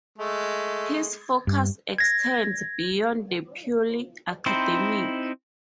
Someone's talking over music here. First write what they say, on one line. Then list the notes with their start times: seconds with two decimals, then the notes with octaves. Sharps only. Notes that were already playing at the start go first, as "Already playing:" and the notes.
His focus extends beyond the purely academic.
0.18 G#3 A3
1.47 G2
1.98 G#6 A#6
4.46 C4 D#4 E4 C5